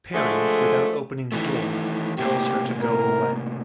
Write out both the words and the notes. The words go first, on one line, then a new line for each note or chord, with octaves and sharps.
Parry, without opening the door, tells her to go away.
D3 F3 G#3 A3
D#3 E3 A3
A2 C3 A#3 G4
A#4